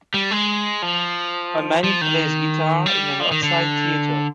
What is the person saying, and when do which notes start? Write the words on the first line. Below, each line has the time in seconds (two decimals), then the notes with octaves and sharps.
A man plays guitar in an outside theater.
0.14 G3
0.31 G#3
0.82 F3
1.84 F3
2.01 D#3
2.86 G3
3.20 F3
3.31 D#3
3.43 D3